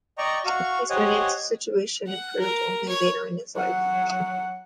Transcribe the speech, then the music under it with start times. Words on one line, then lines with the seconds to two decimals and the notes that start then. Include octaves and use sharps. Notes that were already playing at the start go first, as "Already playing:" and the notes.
His financial situation improved only later in his life.
0.18 D5 D#5 G5 A#5 C#6
0.45 F#4 F5 C#6
0.90 G4 C5 C#5 D#5 F#5 G#5
2.07 F#5
2.40 A#4
2.89 C#5
3.55 F#3 F#5